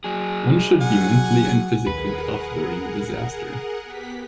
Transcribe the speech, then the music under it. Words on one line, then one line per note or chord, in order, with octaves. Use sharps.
One should be mentally and physically tough during a disaster.
F#3 G#4
F#5 G#5
D#2 G#4 A#4 B4 F#5
B3 G4 B6